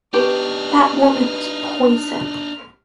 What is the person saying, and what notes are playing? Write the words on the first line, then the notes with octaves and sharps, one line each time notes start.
That Woman Is Poison!
B3 D4 D#4 G4 B4 C#6 F6